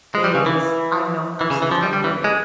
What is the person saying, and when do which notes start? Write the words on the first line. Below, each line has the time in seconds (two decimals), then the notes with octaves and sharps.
is I've known her since elementary,
0.15 G#3
0.24 G3
0.35 C#3
0.46 E3
1.41 E3
1.50 C#3
1.62 E3
1.71 F3
1.83 G3
1.93 G3
2.04 E3
2.24 G#3